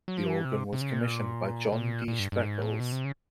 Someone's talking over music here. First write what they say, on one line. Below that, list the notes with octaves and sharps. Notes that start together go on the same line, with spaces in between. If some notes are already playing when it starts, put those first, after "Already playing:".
The organ was commissioned by John D. Spreckels.
F#3
F3
E3
C3
C3
C#3
C3
A#2
A#2
A#2
G2
G2
G#2
A2
B2
C3
C#3